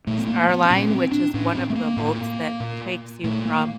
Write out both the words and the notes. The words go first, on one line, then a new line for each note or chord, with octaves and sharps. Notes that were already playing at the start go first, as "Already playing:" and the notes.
Star Line, which is one of the boats that takes you from
A#2 A3
B3
A#3
B3
A#2 C#4
C4
D4
A2 C#4
C4
A3
A#3
A2
A#2
A#2 A3
A#3